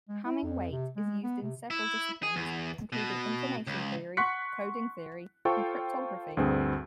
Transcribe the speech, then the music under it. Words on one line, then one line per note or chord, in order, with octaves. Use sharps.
Hamming weight is used in several disciplines including information theory, coding theory, and cryptography.
G#3
E4
F2
C3
G#3
B3
C3
E4
G#4
E2
B2
C#2
F#5 C6 C#6 F#6 B6 C#7
F4 A4 C5 G5 C#6
D2 G2 C4 G#4